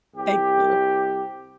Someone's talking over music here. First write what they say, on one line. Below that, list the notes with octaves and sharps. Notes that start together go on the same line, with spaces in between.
Thank you.
C2 G4